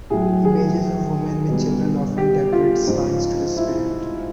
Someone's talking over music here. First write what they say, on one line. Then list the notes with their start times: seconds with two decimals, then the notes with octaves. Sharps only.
Images of women with children often decorate shrines to the spirit.
0.10 A2 F#3 G#4
0.45 G#4
1.49 B2 G3
2.18 G4
2.52 F4
2.87 G#2 F3
3.57 E4